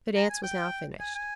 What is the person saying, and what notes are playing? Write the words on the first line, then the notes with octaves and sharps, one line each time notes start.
The dance was now finished.
A#5
G#5
G5
G#5
G#5